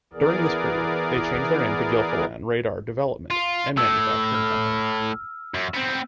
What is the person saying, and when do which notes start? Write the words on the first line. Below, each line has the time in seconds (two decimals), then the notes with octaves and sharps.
During this period they changed their name to Gilfillan Radar Development and Manufacturing Company.
0.13 E3 B3 G#4 A#4 D5
3.31 F4
3.77 A2 E6
4.35 F6
5.54 F#2
5.74 B3 C4